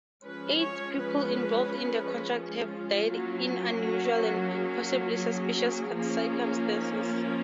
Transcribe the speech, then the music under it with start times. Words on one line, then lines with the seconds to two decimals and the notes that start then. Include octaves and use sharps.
Eight people involved in the contract have died in unusual and possibly suspicious circumstances.
0.24 F3 G#3 C#4 B4
0.59 C#5
0.96 B4
2.37 F4
3.09 F#3 A#3 C#4
3.80 F#4
4.51 G#4
4.86 F4
5.23 G#4
5.94 F3 A#3 C#4
6.65 D#4
7.01 F4